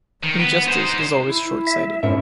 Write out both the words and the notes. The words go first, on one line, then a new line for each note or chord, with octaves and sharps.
Injustice is always short-sighted.
D#3
B3
D#4 C5
E4
E5
G#2 C#4 E4 A#4 E5